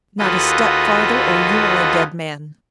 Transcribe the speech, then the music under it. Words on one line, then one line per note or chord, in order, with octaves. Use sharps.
"Not a step farther, or you are a dead man!"
D#2 F4 F#4 A4 B4 D#5